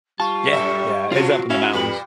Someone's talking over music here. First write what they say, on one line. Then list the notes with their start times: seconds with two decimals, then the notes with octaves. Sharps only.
Yeah, yeah, it's up in the mountains
0.20 G3 F4 A5 C#6
0.53 F#2 A#2 A4 E5
1.12 C3 F3 F#3 F4 F#4
1.50 G#2 C#4 E4 E5 F5
1.74 F2 A#2 G3 B4 B5